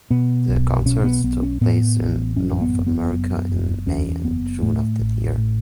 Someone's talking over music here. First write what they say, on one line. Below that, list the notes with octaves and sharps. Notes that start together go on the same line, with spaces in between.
The concerts took place in North America in May and June of that year.
B2 B3
B1
B2 C#4
B3
B1 B3
C#4
A2 B3
A1
F#2 C#4
B3
F#1
B3
F#2
F#1
E2 C#4
F#1 B3
A2 A3
A1
A2